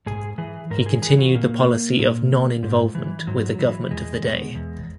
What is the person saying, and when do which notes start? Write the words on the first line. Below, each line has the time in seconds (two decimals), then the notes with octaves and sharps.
He continued the policy of non-involvement with the government of the day.
0.06 G#2 G#4
0.38 E3 G#4
0.70 G#2 A#4
0.86 G#4
1.02 E3 G#4
1.19 F#4
1.35 A#2 A#3
1.99 A#2
2.63 G#2
2.95 E3
3.27 G#2 F#3
3.59 E3
3.91 E2 G#3
4.22 B2
4.55 E2